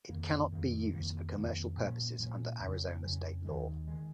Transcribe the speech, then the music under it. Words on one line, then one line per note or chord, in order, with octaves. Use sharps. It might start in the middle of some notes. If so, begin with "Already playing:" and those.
It cannot be used for commercial purposes under Arizona state law.
F2 D#3 A#3
F2 D#3 A#3
F2 C3 D#3 A#3
F2 C3 D#3 A#3
A#2 F3 A#3 C#4
A#2 F3 A#3 C#4
F2 C#3 F#3 C#4
F2 C#3 F#3 C#4
D#2 D#3 G#3
D#3 G#3